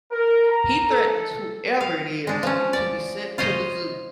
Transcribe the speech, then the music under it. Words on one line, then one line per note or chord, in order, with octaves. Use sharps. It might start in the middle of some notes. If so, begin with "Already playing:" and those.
He threatens whoever it is to be sent to the zoo.
A#4
A#5
A4
F5
G#3 D4
F3 C#4
D5
F4 C5 C#5 D#5